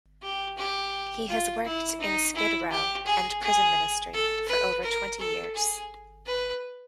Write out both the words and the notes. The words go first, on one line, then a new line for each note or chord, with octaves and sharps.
He has worked in skid row and prison ministry for over twenty years.
G4
G4
F4
E4
D#4
E4
G4
G#4
G#4
A4
B4
A#4
A4
G#4
B4